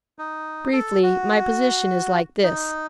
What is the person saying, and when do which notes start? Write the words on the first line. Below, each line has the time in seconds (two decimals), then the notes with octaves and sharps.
Briefly, my position is like this.
0.19 D#4
0.73 A4
1.03 F#4
2.43 D#4